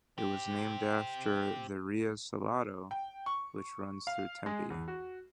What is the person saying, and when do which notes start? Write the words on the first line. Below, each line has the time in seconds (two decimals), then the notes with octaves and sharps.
It was named after the Rio Salado, which runs through Tempe.
0.18 C4 G4
2.91 G5
3.26 C#6
4.07 F5
4.46 G#3
4.70 E2
4.88 F#4